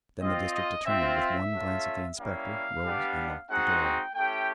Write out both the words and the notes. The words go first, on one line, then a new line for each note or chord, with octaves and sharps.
Then the district attorney, with one glance at the inspector, rose and locked the door.
C4 F4 D#5
D#5
C4 F4 E5
E5
A3 C#4 F4
G3 A#3 C#4 E4 F5
G3 B3 D4 G4
G#3 C4 D#4 F#4 F#5
G5
A3 C#4 E4 G4 G5